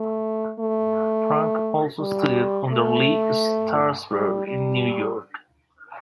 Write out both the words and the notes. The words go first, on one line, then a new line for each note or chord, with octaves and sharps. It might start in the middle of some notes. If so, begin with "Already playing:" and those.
Frank also studied under Lee Strasberg in New York.
Already playing: A3
A3
G3
A3
G3
G3